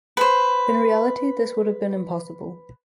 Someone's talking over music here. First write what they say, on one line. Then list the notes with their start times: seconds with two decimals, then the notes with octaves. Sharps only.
In reality this would have been impossible.
0.17 B4 C5